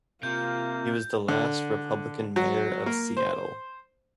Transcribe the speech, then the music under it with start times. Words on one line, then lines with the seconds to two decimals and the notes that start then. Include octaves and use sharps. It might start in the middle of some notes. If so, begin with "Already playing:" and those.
He was the last Republican mayor of Seattle.
0.23 C3 A#3 F4 G6
1.29 D3
2.36 F#3
2.86 A#3
3.17 C5